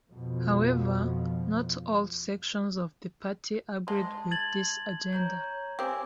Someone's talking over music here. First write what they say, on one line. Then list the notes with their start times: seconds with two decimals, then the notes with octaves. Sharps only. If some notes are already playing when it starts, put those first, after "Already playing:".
However, not all sections of the party agreed with this agenda.
0.11 F2 B2 F3
3.88 G#3 A5 C6
4.31 G#6 A6 F#7
5.13 C#5 A#5 G6
5.79 C4 G4 G#5 D6 E6